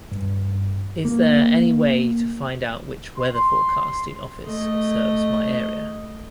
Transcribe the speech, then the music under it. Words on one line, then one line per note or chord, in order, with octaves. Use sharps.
Is there any way to find out which Weather Forecasting Office serves my area?
G2
A#3
C6
A3 D#5